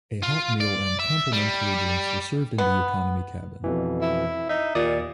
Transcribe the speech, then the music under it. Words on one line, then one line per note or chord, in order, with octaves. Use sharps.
A hot meal and complimentary drinks were served in the economy cabin.
F4
D5
E5
G3
B3
F2 B2 E3
E4
D#4 E5
D#2 A#2 D5 D#6